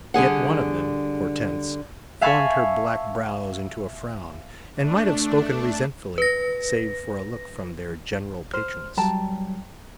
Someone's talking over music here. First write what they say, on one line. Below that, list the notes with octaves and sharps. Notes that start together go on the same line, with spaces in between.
Yet one of them--Hortense--formed her black brows into a frown, and might have spoken resentfully, save for a look from their general patroness.
D3 G3 G#4 F#5
E5 F5 G#5 A5 B5 C#6
A3 D4
B4 A#6
C5 F6
F#3 G3 G5 A5 A#5